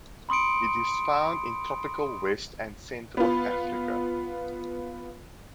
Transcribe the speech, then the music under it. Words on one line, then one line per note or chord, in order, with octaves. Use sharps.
It is found in tropical West and Central Africa.
B5 C6 D#6 C#7 D7
B3 F4